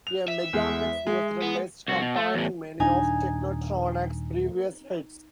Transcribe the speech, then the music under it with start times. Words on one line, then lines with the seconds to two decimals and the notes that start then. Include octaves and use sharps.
A megamix was released compiling many of Technotronic's previous hits.
0.07 F7
0.28 E5
0.53 E2 G#3
1.07 G#3
1.42 B3
1.88 C2 F#4
2.01 B2
2.16 A3
2.35 E2 A2
2.80 D#1 D4 D#4 G#5